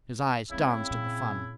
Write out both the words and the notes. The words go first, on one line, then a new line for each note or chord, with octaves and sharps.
His eyes danced at the fun.
C#3 G3 G#3 C4 E4
A#2